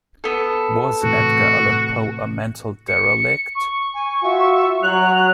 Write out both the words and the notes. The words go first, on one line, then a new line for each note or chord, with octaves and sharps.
Was Edgar Allan Poe a mental derelict?
B3 A4
A2 C3 E3 F#4
C#7
C#6
G#5
F4 F#4 E5
F#3 F#6 F7